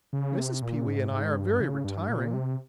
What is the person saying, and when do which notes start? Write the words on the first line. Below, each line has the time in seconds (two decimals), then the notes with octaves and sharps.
Mrs. Pewee and I are very retiring.
0.13 C#3
0.37 C3
0.62 A#2
0.87 G#2
1.11 G#2
1.35 G2
1.60 C#3
1.84 G2
2.09 A#2
2.34 C3